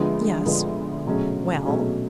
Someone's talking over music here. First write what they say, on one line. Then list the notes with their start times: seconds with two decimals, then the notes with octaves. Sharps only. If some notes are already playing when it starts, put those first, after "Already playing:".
"Yes." "Well?"
Already playing: D2 D3 F3 G#3 B3
0.46 D2 D3 F3 G#3 B3
1.06 B2 F#3 A3 C#4 G#4
1.65 B2 F#3 A3 C#4 G#4